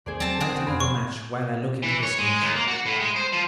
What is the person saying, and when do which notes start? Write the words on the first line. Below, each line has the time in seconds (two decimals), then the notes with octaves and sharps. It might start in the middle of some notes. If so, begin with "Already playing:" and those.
Light another match while I look into this niche.
0.06 D#2 A3 B3 G#4 C5 D5
0.20 F#3 C4 A5
0.40 D2 G2 D3 C4 G#4
0.55 C#3 E3 A#3 F#4 G5
0.67 F2 F5 G#5 B5
0.80 C#6
1.82 E3
2.03 C#5
2.19 G#3
2.42 D#2
2.56 A#3
2.68 F#4
2.86 A2
3.00 G#3
3.16 C5
3.33 F3